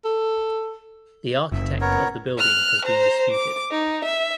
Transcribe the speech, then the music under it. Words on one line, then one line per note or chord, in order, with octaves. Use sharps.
The architect of the building has been disputed.
A4
F#1 E5
B3 A#4 C#5
F6 F#6
C5 A#5
D6
D#4
E5